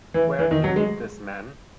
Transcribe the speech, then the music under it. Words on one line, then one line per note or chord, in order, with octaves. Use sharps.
Where'd you meet this man?
E3
E3
D#3
F#3
G#3